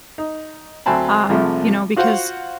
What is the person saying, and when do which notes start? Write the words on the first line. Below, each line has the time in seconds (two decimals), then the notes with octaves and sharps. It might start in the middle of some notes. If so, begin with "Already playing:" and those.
um, you know, because,
0.18 D#4
0.86 D2 F#3 C4 G#5 A5 B5
1.29 C2 C3 F3 G#3 A3
1.96 F4 F#4 C5 F5 F#5